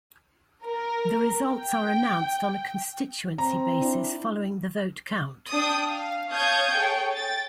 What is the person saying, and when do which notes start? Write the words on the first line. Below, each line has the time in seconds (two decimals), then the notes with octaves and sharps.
The results are announced on a constituency basis following the vote count.
0.65 A#4
1.50 G5
3.38 C4 A#5
3.80 D4 E4
5.50 D4 G5 D#6
5.87 F5
6.30 C#5 F5 A5 D#6 G6 G#6
6.73 G#4 A4 C#5 G5
7.13 G5 A6